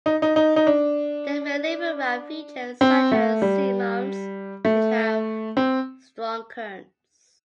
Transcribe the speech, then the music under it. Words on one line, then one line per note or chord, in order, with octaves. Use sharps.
They may live around features, such as seamounts, which have strong currents.
D#4
D#4
D#4
D#4
D4
C4
A3
G3
A3
C4